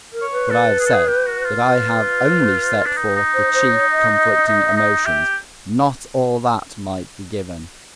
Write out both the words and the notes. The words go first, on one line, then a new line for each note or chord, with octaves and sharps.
But I have said, that I have only set forth the chief conflicting emotions, not all that might be given.
A#4
C#5
B4
A4
G#4
A4
G#4
G4
F#4
F4
B4
D4
D#4
D#4
C5
C5
C#5
D#5
D#4
D#4
G4 E5